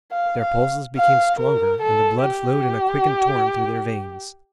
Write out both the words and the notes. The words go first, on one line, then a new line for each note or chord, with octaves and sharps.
Their pulses became stronger, and the blood flowed in a quickened torrent through their veins.
F5
F5
F5
A#4
A4
G4